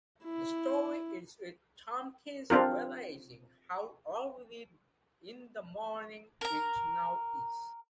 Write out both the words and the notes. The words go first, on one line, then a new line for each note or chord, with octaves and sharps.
The story ends with Tompkins realizing how early in the morning it now is.
E4
C4 D4 F4 A#4
A#4 A#5